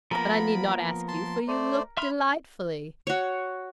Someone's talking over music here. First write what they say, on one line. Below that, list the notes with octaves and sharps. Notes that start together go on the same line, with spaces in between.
But I need not ask you, for you look delightfully.
F3 A#3 B3 A#4 A#5 B5
A5 C6
A3 C5 D5
E5 B5 C6 F6
F#4 C#5